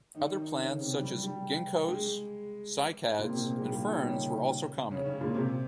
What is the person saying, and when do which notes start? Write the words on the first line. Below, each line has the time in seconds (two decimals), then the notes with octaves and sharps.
Other plants, such as ginkgoes, cycads, and ferns were also common.
0.15 D#3 D#4
0.36 D#3 D#4
0.58 C#3 C#4
0.80 C3 C4
1.01 G3
1.24 G3
1.88 G#3
3.18 A#2 A#3
3.29 C3 C4
3.39 C3 C4
3.50 G#3 G#4
3.61 G3 G4
3.72 A#2 A#3
3.83 D#3 D#4
3.95 G3 G4
4.05 C#3 C#4
4.91 C#3 C#4
5.05 C#3 C#4
5.14 G#3
5.20 A#2 A#3
5.35 C3 C4